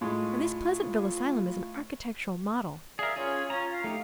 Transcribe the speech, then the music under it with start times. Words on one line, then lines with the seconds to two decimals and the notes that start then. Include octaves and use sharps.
And this Pleasantville asylum is an architectural model.
0.01 A2 G#3 F4
2.99 G#4 A#4 D5 E5 F5
3.16 C#4 F4 G#4 C#5
3.50 C#4 F4 A#5
3.70 F5
3.84 A3 D#4 G4